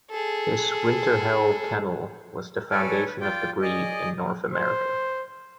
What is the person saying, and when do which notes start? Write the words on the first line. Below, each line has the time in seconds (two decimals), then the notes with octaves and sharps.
His Winterhelle Kennel was the foundation of the breed in North America.
0.10 G#4 A4
2.71 A4 B4 C#5 D5 G#5
3.06 B4
3.21 F4 D5 G5
3.62 G#4 D5 D#5
4.52 C5